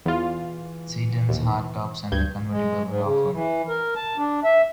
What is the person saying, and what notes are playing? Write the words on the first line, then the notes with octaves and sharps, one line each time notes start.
Sedans, hardtops, and a convertible were offered.
E2 E3 F4
D#2
D2 G2 G6 G#6
G#3
G#2
C#3
E3
A#4
A5
D4
E5